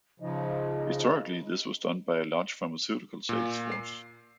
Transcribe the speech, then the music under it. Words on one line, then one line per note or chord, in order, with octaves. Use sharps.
Historically, this was done by a large pharmaceutical sales force.
C#3 F3 D#4 D#5
A#2
C7